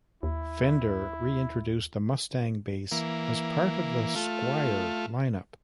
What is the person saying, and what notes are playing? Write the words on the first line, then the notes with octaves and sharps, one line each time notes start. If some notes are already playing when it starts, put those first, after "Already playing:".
Fender reintroduced the Mustang Bass as part of the Squier lineup.
D#2 E4
E3 A#3
A3 F4